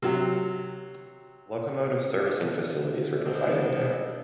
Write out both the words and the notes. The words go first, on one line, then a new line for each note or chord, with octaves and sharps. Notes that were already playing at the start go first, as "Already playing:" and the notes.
Locomotive servicing facilities were provided there.
C3 F#3
G2 G#3 B3 C4 D4